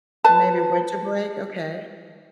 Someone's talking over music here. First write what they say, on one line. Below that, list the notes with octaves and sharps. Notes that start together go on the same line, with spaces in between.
Maybe winter break, okay.
B4 A5